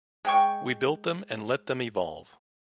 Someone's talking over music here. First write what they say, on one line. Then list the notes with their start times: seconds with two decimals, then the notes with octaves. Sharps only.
We built them and let them evolve.
0.25 G#3 G5 C#6